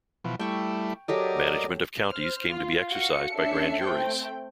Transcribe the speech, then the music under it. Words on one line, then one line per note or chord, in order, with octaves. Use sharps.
Management of counties came to be exercised by grand juries.
B2 E3 F3
G3 A3 E4 G5 C#6
F#3 G4 A4 A#4 D5 D#5
C5 F6
F4
F#4 F5 C#7
C#4 D4 A4 E5 C7 C#7
A3 C4 G5